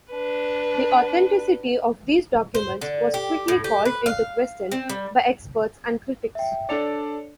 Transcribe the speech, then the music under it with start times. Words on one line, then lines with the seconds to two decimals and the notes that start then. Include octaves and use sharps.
The authenticity of these documents was quickly called into question by experts and critics.
0.13 D4 B4
2.55 C5
2.81 D3
3.14 G4
3.48 A2
3.64 G4
3.85 B4
4.06 F5
4.72 C4
4.89 G3
6.35 E5 G5
6.69 D4 A4 C#5 D5 C#7 F7